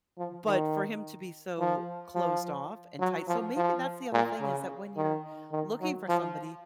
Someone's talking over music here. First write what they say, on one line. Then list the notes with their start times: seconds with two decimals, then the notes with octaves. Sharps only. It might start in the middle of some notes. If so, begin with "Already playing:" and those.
but for him to be so closed off and tight so maybe that's the other thing is that when you're looking for somebody,
0.18 F3
0.47 D#3
1.59 F3
2.15 F3
3.00 F#3
3.28 F3
3.57 F3
4.13 A#2
4.40 C#3
4.96 D#3
5.52 D#3
5.81 F#3
6.09 F3